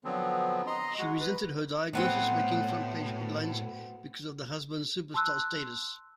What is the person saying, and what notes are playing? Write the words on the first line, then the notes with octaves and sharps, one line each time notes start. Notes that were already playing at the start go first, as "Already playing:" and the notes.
She resented her diagnosis making front page headlines because of the husband's superstar status.
D3 F3 F#3 B3 C4
D#5 A#5 C6
G#3 F#4
B4
A2 F#3 B3 C4
A5 C6 E6 F#6